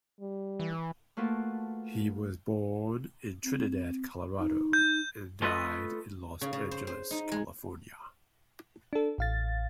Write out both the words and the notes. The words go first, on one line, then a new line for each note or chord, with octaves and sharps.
He was born in Trinidad, Colorado and died in Los Angeles, California.
G3
E3
A3 A#3 F4 F#4 B4 A5
C4
D#4
G6
A3 F4 A4 B4 D#5
C#3
C#3
C5
C5
D#4
G#3
D4 A4
A1 F5 A6